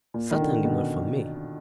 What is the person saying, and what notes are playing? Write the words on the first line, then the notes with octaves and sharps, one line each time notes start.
Certainly not from me.
A#2
D#3
D3
B2